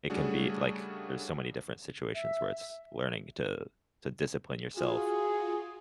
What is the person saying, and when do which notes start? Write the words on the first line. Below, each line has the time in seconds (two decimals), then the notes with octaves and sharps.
It can be like, there's so many different situations where it's learning to to discipline yourself,
0.10 C#3 G3 A3 D4 F#4 G#4
2.15 E5
4.77 F4 F#4 G#4